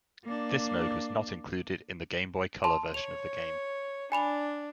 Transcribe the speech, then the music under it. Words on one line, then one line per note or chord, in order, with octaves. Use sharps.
This mode was not included in the Game Boy Color version of the game.
A#3 D4
A5 C6
C#5 F7
D4 G#5 B5 F7